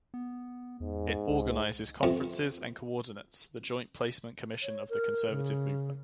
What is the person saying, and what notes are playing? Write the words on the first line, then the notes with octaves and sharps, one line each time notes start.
It organizes conferences and coordinates the Joint Placement Commission of the Conservative movement.
B3
E2 G#2
C#2
F2 C3 C#6
C#5
A#4
C#3